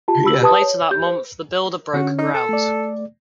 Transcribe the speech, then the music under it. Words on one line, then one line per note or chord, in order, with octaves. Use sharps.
Later that month, the builder broke ground.
F4 G4 A5
G4 B5 E6 F#7
G4 B4 A5 D#6
C#5
G4 G6
C5
D3 C#4 F#4
D#4
A4
A3 D5